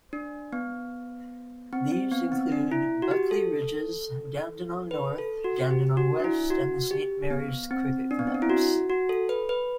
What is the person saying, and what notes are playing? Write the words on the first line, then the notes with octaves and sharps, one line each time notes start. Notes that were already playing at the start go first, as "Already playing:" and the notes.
These include Buckley Ridges, Dandenong North, Dandenong West, and the Saint Mary's Cricket Clubs.
D4
B3
C4
C4
B3
C4
D4
E4
F#4
G4
A4
B4
A4
F#4
G4
F#4
D4
E4
F#4
G4
B3
C4
D4
B3
C4
D4
E4
F#4
F#4
A4
B4
B4